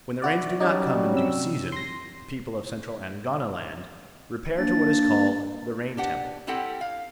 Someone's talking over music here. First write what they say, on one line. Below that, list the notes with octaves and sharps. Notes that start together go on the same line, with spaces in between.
When the rains do not come in due season the people of Central Angoniland repair to what is called the rain-temple.
E4 F#4 D5
F#3 G3 C#4 D#4 D5
C3 E6
C6 A#6
A#3 D4 A6
D4 G4 F#5
G3 C4 E4 G4 A4 F#5
F5